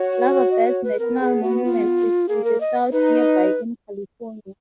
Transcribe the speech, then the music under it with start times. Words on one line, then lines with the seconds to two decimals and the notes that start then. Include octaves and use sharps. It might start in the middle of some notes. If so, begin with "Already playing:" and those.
Lava Beds National Monument is to the south, nearby in California.
Already playing: F#4 C#5
0.36 C#5
0.51 D#5
0.68 C#5
0.84 B4
0.99 B3 A#4
1.20 G#4
1.43 F#4
1.64 F4
2.28 A#3 G#4
2.44 A#4
2.60 D#5
2.92 D#4 B4